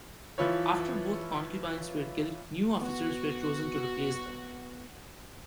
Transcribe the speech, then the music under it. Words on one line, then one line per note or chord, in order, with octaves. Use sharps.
After both concubines were killed, new officers were chosen to replace them.
E3 F3 E4 F4 B4 C#5
B3 F#4